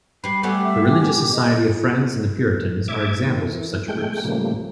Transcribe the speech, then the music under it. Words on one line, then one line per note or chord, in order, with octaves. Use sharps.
The Religious Society of Friends and the Puritans are examples of such groups.
G3 B4 C7
G3 A3 B3 G4 G#5
E5
G#5
D#5
A2 E5 D6 G#6
D#3 C4
E3
G#3 A3 G5
A2 C#3 F3 G3 A3 A#3